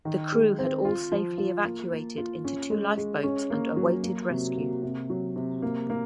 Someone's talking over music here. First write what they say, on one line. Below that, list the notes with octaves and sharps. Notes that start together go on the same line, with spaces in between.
The crew had all safely evacuated into two lifeboats and awaited rescue.
D#3
G#3
C4
F4
F3
F4
A#3
A#3
F4
C#4
G#3
G#3
C#4
A#3
F#3
A#3
C3
A#3
C3
F#3
C3
A#3
A#3